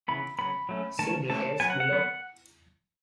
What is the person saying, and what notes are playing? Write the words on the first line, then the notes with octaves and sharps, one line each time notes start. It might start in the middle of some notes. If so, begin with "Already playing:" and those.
See details below.
C#3 E3 B3 B5
C#3 F#3 B3 B5
F#3 A3 C#4
D#3 A3 C#4 A5
E3 A3 C#4 A5
F#3 B3 G#5
F#5
F#5
F#3 B3